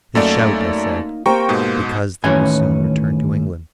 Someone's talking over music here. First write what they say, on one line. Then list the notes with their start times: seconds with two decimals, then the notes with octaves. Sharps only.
"They shout," I said, "because they will soon return to England."
0.15 F#2 A3 A#3 D#4 D5 F#5
1.26 A#3 C4 G4 G5 A#5 C#6
1.49 G#2 B2
2.24 D#2 A2 E3 C#4 E5 G#5